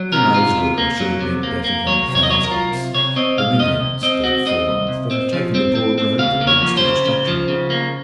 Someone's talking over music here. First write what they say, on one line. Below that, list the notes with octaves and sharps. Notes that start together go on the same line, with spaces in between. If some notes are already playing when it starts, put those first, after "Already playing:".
Who knows whether I should have been better than the thousands, the millions, that have fallen, that have taken the broad road that leads to destruction.
Already playing: F#3
C3 A#4
F4
C3
A#3
F#3
C3
A#3
A#3
F#3 C#5
C3
C#5
D#5
F#3 C#5
A#4
F4
C3
C3 C#5
C4 D#5
C2 F5
C3 D#5
C3
C4 D#5
C4 F#4
C4 D#5
C2
C3
C4
F3
C4
C4
C4
C#3 F5
A#3
C#5
F3
C5
C#3
C#3
F3
C#3
A#3